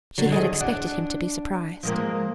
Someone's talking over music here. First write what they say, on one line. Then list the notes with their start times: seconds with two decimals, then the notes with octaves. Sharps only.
She had expected him to be surprised.
0.18 D3 F#3
0.32 E2 G#4 D#5
0.61 D4 F#5
1.83 F3 G#3 A#3